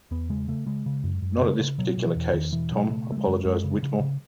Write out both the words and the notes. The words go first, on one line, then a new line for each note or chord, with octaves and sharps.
Not at this particular case, Tom, apologized Whittemore.
E2 B3
C#3 G#3
C#3 A3
C#3 G#3
C#3
F#2
F#2
C#3
C#3
B2 F#3
B2
E3
E2
E2 D#3
B2 E3
B2 F#3
C#3 A3
C#3 A3
G#3
F#2
F#2 G#3
C#3
C#3
C#3